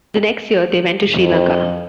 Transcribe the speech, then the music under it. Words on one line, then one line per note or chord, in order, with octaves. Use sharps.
The next year they went to Sri Lanka.
F2